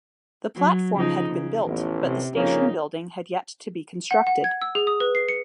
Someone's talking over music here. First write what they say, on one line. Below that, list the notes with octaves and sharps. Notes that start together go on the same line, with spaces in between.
The platform had been built, but the station building had yet to be constructed.
F#3
C#3 F3 D#4
C#3
A1 E2
C3
F2 C#3 A#3 C#4 D#4
F#5
F#5
G#6
E6
G#4
D#6
B4
C7
C#7